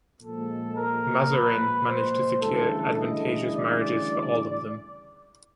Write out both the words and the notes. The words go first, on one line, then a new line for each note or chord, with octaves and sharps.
Mazarin managed to secure advantageous marriages for all of them.
A#2 F3 G#3 A4
A#4
B4
C5
D2 C#3 E3 G3 A4
D#5
D5